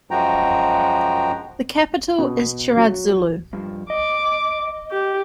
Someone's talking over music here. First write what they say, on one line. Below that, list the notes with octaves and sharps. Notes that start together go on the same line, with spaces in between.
The capital is Chiradzulu.
F#2 F3 G#3 F#4 G5 A#5
B2
F#3
G2 F3
D#5 D6
G4